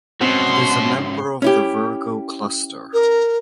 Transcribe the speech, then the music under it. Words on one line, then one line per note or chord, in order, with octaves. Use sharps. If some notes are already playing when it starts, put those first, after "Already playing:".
It is a member of the Virgo Cluster.
G#2 B2 C4 C#4 F#4 C6
C#4 E4 G4
A#4